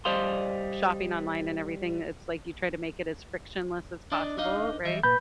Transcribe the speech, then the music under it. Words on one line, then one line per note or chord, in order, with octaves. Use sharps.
shopping online and everything, it's, like, you try to make it as frictionless as possible, right?
G3 C5 D5 D#5 F5 C6
D4 D5 D#5
D4 D#4 D#5 F5
E3 G3 D#5 E5
A#2 B4 B5 G6